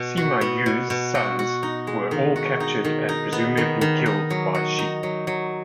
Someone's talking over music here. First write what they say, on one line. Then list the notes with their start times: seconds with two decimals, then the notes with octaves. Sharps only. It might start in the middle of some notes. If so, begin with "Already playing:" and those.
Sima Yue's sons were all captured and presumably killed by Shi.
Already playing: B2
0.17 F#4
0.41 B3
0.66 B2
0.90 B2
1.15 F#4
1.39 F#4
1.63 D#4
1.87 G#3
2.11 D#3
2.36 F#4
2.60 D#4
2.84 D#3
3.09 D#4
3.33 B3
3.57 D#3
3.81 D#3
4.06 D#4
4.30 F#3
4.55 F#4
4.79 D#4
5.03 F#3
5.27 F#3